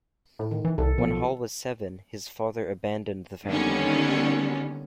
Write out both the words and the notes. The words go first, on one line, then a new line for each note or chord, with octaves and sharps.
When Hall was seven, his father abandoned the family.
A2
D#3
E3
C2 A4
B1 F3 F#3
D3 D#3 G3 A#3 B3 C#4